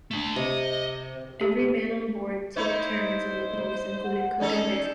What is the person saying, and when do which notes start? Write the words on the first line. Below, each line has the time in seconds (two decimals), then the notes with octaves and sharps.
Every man on board took turns on the pumps, including Cook and Banks.
0.11 A3 D4
0.36 C3 D#5
1.41 G4
2.56 D#4 E4 C5 C#5
4.05 F#5
4.40 C#4 D#4 G#4 A4 D5